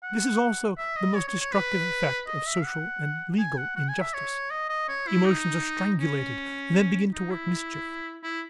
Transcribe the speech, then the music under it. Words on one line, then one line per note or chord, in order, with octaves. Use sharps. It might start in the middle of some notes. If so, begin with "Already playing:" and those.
This is also the most destructive effect of social and legal injustice; emotions are strangulated and then begin to work mischief.
F#5
E5
D#5
C#5
C#5
C#5
B4
D#5
E5
F#5
G#5
F#5
F#5
G#5
E5
C#5
D#5
D#5
C#5
E4
D#4
C#4
D#4
E4
E4